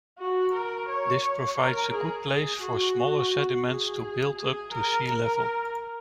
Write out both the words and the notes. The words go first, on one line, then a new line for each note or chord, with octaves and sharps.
This provides a good place for smaller sediments to build up to sea level.
F#4
A#4
C#5
A#4
G#4
G#4
F#4
G#4
G#4
A#4
A#4